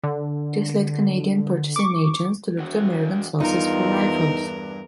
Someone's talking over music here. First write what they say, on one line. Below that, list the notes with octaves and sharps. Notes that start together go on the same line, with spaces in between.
This led Canadian purchasing agents to look to American sources for rifles.
D3
C#6 D6
E2 F#4
E2 G2 D#4 F4 A#4